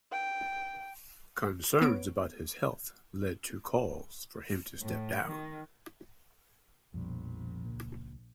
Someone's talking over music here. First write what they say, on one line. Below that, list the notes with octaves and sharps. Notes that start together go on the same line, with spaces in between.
Concerns about his health led to calls for him to step down.
G5
B3 C#5 D7
A2
D#3
A#1 F2 B2 G3
C#2 A#2